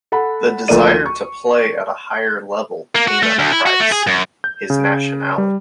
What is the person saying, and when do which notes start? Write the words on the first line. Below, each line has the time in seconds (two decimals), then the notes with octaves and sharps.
The desire to play at a higher level came at a price: his nationality.
0.12 A4 F#5 B5
0.68 D2 F3 A#3 A4 D5 D#7
1.06 C#6
2.95 A#3
3.08 F#4
3.23 A3
3.39 D2
3.52 E4
3.66 F#4
3.80 A3
3.92 G#4
4.07 F#2
4.44 G6
4.70 C#3
5.38 G3